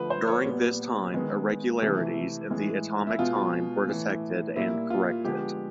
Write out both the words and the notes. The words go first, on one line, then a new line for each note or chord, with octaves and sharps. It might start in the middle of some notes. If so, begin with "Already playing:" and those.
During this time, irregularities in the atomic time were detected and corrected.
Already playing: D3 F3 A3 B4
C5
C#5
A#2 G3 B3
D#3 G#3 B3
C3 E3 A3
A2 E3 G#3
E4
B2 G#3 B3 F4
A2 E3 A3
A#2 G3 A#3 E4
F4
D3 F3 G#3 B3 G4